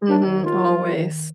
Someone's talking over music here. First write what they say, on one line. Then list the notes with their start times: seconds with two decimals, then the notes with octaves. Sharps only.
Mhm, always.
0.08 D#2 D4
0.25 D#3
0.42 D#2 F4
0.59 F#3
0.77 D#2
0.94 D#3